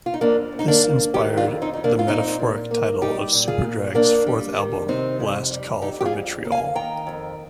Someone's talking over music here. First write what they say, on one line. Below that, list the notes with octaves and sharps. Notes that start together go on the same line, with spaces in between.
This inspired the metaphoric title of Superdrag's fourth album, "Last Call for Vitriol".
F4
D#4
F2 A#3 D4
F2
D#4
A#3 D4
A#3
D#3 D#4 G4
D4 F4
F2
C4 D#4
F2 D#4
A#3 D4
F4
A#2 C4 D#4
A#2
A#3
G3 D#4 G4
A#2
F4 G#4
A#2
F2 A#3 D4
G3
D#3
C3 C4 D#4
F2
G3
F2 D#4 G4
G4
F4 G#4
F2
A#3
F5 G#5
D#3 G5 A#5
F2